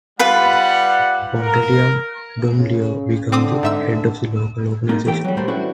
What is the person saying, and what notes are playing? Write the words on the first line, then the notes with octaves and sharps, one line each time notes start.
Pantaleon Dumlao became the head of the local organization.
G3 F4 B4 F#5 B5
A#4
C#3
D3 C4 D6 D#6
G#2 E5 E6
A#3 D#4
A2 E3 G4 A4 G5
F#3 G3
A#2 G3 A3 A#3 C5 B5
C#4 D4 E4 F#4 A4 B4